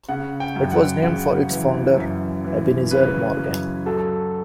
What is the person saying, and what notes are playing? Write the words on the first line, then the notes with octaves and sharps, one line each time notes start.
It was named for its founder, Ebenezer Morgan.
C#3 F#5
G5
F#2
F#5
C#3 F#5
E3
F#2
E3
C#3 B4
F#2
F#3 A4